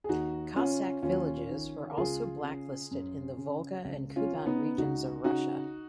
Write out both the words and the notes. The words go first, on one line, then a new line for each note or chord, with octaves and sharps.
Cossack villages were also blacklisted in the Volga and Kuban regions of Russia.
G#4
D#2 D#4 F#4
C#3 C#4 F4
D#2 C#4 F4
D#3
A#4
C#2 F4 G#4
C#3
F#2
C#3
C#2
C#4 F4
C#3
B3 D#4
C#2 D#4 F#4
C#3 D#4 F#4